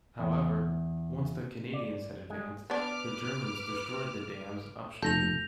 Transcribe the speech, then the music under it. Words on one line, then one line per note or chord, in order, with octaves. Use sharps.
However, once the Canadians had advanced, the Germans destroyed the dams upstream.
E2
D5
G#3
B3 D4 B4 D6 F6
F1 A4 G6 A#6 F7